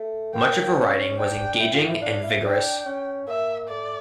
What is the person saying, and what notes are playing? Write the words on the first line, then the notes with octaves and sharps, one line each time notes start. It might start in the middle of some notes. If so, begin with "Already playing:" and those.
Much of her writing was engaging and vigorous.
Already playing: A3
A#3 G5
C#4
D4 G5
E4
F4
E4
D4 F5
E4
D4 G5
C#4
A#3 E5
A3 D5